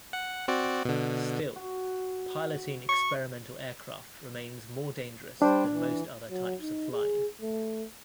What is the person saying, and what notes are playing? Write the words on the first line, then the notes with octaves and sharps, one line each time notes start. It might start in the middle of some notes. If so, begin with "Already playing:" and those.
Still, piloting experimental aircraft remains more dangerous than most other types of flying.
F#5
C4 F#4 D5
B2 D3
F#4
C#6
G3 D4 C5 G5
E3
F#3
D#4
G#4
A3